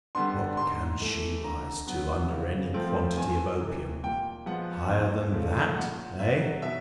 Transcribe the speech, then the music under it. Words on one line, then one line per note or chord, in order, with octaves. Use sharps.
What can she rise to, under any quantity of opium, higher than that!--Eh?'
D3 G3 B3 D4 C6
G#2 C6
E3 A3
D3 A#5
F#3 B3
C#3
F3 A3 C4
E2 G#5
C3 E3
A#2 G5
F3 G#3 B3 F#5
E2
C#3 F3 A3
A#2 F#5
F#3 B3 E5
B2 E5